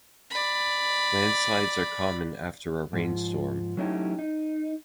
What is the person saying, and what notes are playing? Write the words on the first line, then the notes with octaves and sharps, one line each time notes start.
Landslides are common after a rainstorm.
D5 B5
G#2 F3
F#3 A3 C#4 D#4 E4 G4
D#4